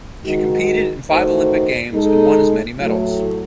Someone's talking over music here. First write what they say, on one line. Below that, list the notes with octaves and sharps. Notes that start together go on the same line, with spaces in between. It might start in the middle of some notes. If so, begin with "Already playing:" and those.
She competed in five Olympic Games and won as many medals.
G#2 D#3 G#3 D#4 F#4
D#3 A3 D#4 F#4 C5
G#3 D#4 A4
A2 F#3 A3